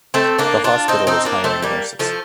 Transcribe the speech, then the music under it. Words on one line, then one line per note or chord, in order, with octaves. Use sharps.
The hospital is hiring nurses.
A3 C4
A#3 D4
D4 F4
C4 D#4
C4 D#4
A#3 D4
A3 C4
G3 A#3
F3 A3